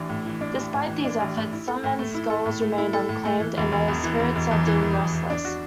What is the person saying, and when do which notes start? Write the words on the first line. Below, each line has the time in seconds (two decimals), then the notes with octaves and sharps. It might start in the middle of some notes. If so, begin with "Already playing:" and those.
Despite these efforts some men's skulls remained unclaimed and their spirits are deemed restless.
Already playing: A1 E3 D4
0.09 A2
0.26 E3
0.41 D4
0.57 A1
0.73 A2
0.88 E3
1.05 D4
1.20 A1
1.37 A2
1.52 E4
1.68 A4
1.84 A2
1.99 A3
2.14 E4
2.30 A4
2.46 A2
2.61 A3
2.78 E4
2.93 A4
3.09 A2
3.25 A3
3.40 E3
3.57 E1
3.72 E1
3.88 E2
4.03 E3
4.20 E1
4.35 E1
4.51 E2
4.67 E3
4.82 E1
4.98 E1
5.13 E2
5.30 D4
5.45 F#4